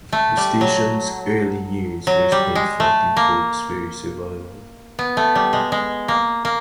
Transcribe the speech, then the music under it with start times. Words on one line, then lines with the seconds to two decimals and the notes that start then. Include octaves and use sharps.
The station's early years were spent fighting for its very survival.
0.12 A3
0.37 G3
0.61 F#3
2.07 F#3
2.32 G3
2.55 G#3
2.80 A3
3.17 A#3
4.99 B3
5.17 A3
5.35 G3
5.53 G#3
5.72 G#3
6.08 A#3
6.45 A#3